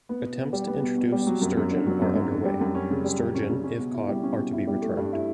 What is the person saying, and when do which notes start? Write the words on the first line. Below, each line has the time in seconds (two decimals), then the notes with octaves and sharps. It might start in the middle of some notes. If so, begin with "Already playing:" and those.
Attempts to introduce sturgeon are under way; sturgeon, if caught, are to be returned.
0.09 B3
0.24 B2
0.38 B2
0.53 G3
0.68 B3
0.83 B2
0.97 B2
1.12 G3
1.27 F#3
1.42 F#2
1.57 F#2
1.71 D3
1.86 F#3
2.02 F#2
2.16 F#2
2.31 D3
2.46 G3
2.61 F#2
2.75 C#4
2.90 C#3
3.05 G3
3.20 F#2
3.34 C#4
3.50 C#3
3.64 C#4
3.79 B2
3.94 E4
4.09 G3
4.23 C#4
4.39 B2
4.53 E4
4.67 G3
4.82 A3
4.97 G2
5.13 E4